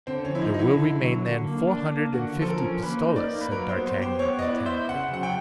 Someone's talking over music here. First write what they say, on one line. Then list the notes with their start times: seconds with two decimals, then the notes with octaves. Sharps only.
"There will remain, then, four hundred and fifty pistoles," said D'Artagnan, contentedly.
0.07 D3 C4
0.25 C#4
0.30 F3
0.35 E4
0.41 D#4
0.53 D3 D#4
0.59 E4
0.76 D3
0.98 F#3
1.22 D3
1.44 A#3
1.67 D4
1.90 A#3
2.13 D3 F#4
2.36 F3
2.42 A4
2.48 A#4
2.60 C#4
2.82 A#3 B4
3.05 D#4
3.16 D5
3.28 A#3
3.41 B4
3.51 F#3 A#4
3.69 C5
3.74 B3
3.86 C5
3.97 G4 C5
4.19 B3 C#5
4.39 D#5
4.42 E4 D5
4.66 C5 E5
4.88 C#3 F#5
5.11 F#3 F#5
5.23 G5